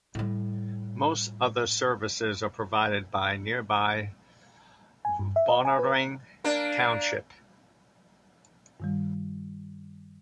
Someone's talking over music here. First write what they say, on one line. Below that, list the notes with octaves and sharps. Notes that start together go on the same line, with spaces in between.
Most other services are provided by nearby Balnarring township.
A2 G3
G#5
G2
E5
D#5
G#5
B4
A#3 D4
G2 D#3 G3